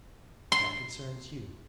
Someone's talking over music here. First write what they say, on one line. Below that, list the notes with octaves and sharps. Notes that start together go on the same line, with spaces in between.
That concerns you.
C6